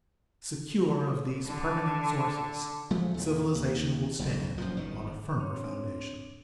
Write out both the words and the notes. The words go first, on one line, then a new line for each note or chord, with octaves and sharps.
Secure of these permanent sources, civilization will stand on a firmer foundation.
D3
F3 G#3 A3
E2 A#2
D#2
F#1 B1 F2
F#2 A#2 F3
G1 D#3
C4 D4 C#5